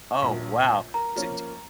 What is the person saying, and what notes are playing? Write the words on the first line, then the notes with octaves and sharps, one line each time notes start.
Oh, wow, di di
D#1 A#1
A#4 A#5
F3 A#3 C#4